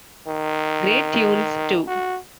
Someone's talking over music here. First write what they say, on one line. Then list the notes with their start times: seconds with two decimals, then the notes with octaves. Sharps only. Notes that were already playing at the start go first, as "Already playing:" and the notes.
Great tunes too.
0.28 D#3
1.88 F#4